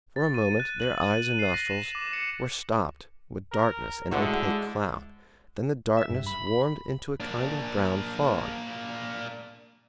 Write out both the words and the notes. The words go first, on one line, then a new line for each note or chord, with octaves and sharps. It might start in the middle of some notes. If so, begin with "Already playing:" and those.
For a moment their eyes and nostrils were stopped with darkness and opaque cloud; then the darkness warmed into a kind of brown fog.
A6
D#7
F#6
F#7
D#7
D#7
C7
A#6
E7
D6
C#7
A#4
D3 G#3 E4 F#4
E5
G2
B5
B5
A#3 D4